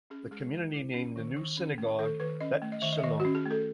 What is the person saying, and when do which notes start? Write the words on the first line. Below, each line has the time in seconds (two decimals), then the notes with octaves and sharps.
The community named the new synagogue "Bet Shalom".
0.10 C#4 G#4
0.31 G#3 G#4
0.53 G#3
0.74 E4
0.94 C#4
1.16 D#3
1.36 D#3
1.57 C#4
1.78 A3
1.99 D#3 A4
2.20 D#3 B4
2.40 C#4 D#5
2.62 A3
2.72 D#5
2.82 D#3 E5
2.92 D#5
2.98 E5
3.03 D#3 D#5
3.20 C#4 F#4
3.35 G#4
3.46 A3
3.51 A4